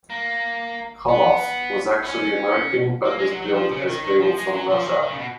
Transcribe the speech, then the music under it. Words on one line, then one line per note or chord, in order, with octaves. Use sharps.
Koloff was actually American but was billed as being from Russia.
A#3
B3
B3
C#4
A#3
G#3
F#3
F#3
F3
C#3
D#3
D#3
F3
G#3
F#3
F3
D#3
D#3
C#3
B2